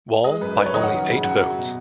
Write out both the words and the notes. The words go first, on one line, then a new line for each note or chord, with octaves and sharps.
Wall by only eight votes.
G#3 D#5
F#2 B4
F#2 B4
C#5
D#3 D#5
F#5
F#2
C#3
F#2 F#5
F#3
B2